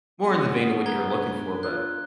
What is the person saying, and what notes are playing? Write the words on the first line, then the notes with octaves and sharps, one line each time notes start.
more in the vein of what you're looking for, but,
G#3 B3 C#4 D#6
D4 B4 A#5 G#6 G7
F4 F#6